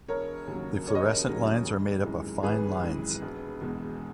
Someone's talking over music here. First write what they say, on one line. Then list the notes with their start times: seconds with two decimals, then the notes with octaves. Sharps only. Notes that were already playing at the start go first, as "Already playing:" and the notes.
The fluorescent lines are made up of fine lines.
0.09 E1 A#4 C#5
0.47 D#2 C#3 F#3
0.87 E1 C#5
0.95 D#5
1.03 A#4 C#5
1.26 D#2 C#3 F#3
1.65 G#1
2.04 F#2 E3 G#3
2.43 G#1 G#4 B4
2.83 F#2 E3 G#3
3.22 E1
3.61 E2 B2 G#3